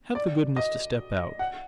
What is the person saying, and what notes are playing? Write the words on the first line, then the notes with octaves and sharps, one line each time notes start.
'Have the goodness to step out.'
D5
D#5
F#5